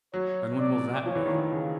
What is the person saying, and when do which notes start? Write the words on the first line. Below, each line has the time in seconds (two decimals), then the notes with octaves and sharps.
"And when will that be?"
0.13 F#3 C#5
0.60 D5
1.05 F3 C#5
1.15 E3
1.25 D#3
1.35 E3
1.52 C#3